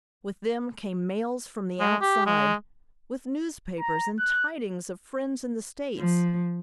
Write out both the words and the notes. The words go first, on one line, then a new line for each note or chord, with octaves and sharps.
With them came mails from the outside, with newspapers and tidings of friends in the States.
G#3
G4
G#3
A#5
F#6
F3